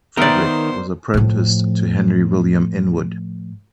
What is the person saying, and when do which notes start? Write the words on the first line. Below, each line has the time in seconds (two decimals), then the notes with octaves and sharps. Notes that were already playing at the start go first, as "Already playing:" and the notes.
Fredrick was apprenticed to Henry William Inwood.
0.17 D#3 B3 A#4 C5 D5 E5
1.14 A2 F3